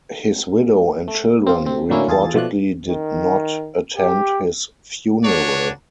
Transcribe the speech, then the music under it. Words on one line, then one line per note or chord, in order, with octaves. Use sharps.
His widow and children reportedly did not attend his funeral.
A3
C4 F4
C3 C4
A2 D3 F#3 A#3 C#4 E4
E2 F4 G#4 A4 A6
B2 F3 A3 D5 F#6
D#3
G4
D4 F#4 C#5